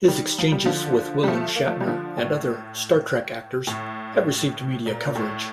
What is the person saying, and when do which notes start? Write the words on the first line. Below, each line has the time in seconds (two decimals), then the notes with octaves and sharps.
His exchanges with William Shatner and other "Star Trek" actors have received media coverage.
0.08 D#3 G3
0.38 F3
0.52 G3
0.66 D3 F3
1.23 G3
1.28 F3 A3
1.55 A#3
1.67 F3 A3
1.81 G3
1.87 D3 F3
2.17 A2
3.67 A2
4.86 A#2
5.06 A#2
5.15 A2